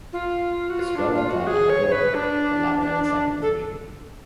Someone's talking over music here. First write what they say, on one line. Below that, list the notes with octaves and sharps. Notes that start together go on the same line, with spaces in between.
Estrela da Amadora, the latter in the second division.
F4
F#4
F4
D4
F4
F#4
G#4
C#5
B4
D4
D4
D4
A4